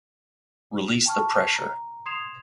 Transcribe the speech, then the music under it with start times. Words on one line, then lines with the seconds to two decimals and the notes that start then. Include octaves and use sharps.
Release the pressure.
1.06 G5 A5 C#6 F6
1.55 A#5
2.06 C6 D#6 G#6 C7 E7 F7